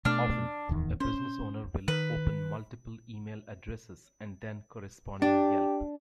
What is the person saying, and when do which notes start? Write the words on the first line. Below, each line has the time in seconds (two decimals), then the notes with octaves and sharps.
Often, a business owner will open multiple email addresses and then corresponding Yelp!
0.05 B2 A3 D4 F6
0.69 D1 E2 D#3
1.00 C#4 C5
1.88 D#3 B4
5.22 D4 G4